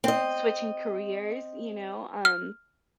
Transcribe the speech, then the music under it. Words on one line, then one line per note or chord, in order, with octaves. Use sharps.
switching careers, you know, um,
C4 D#5
F6